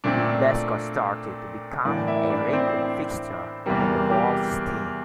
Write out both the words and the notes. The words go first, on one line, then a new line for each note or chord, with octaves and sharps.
Lescott started to become a regular fixture in the Wolves' team.
A#2 A3 C4 D4 D5
A2 E3 A#3 D4 D5
E4 E5
D4 D5
C4 C5
E2 C3 G3 A#3
G4